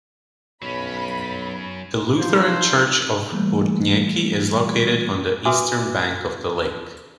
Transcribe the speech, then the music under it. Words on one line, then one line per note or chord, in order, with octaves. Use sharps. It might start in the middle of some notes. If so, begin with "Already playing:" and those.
The Lutheran church of Burtnieki is located on the Eastern bank of the lake.
B1 F#3 C#4 B5
F3 D#4 C5
E3 G3 A3 A#3
F#4 B4 E5 G#5 D6 D#6